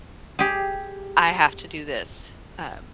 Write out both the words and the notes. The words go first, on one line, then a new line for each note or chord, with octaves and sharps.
I have to do this. Um,
G4 G#4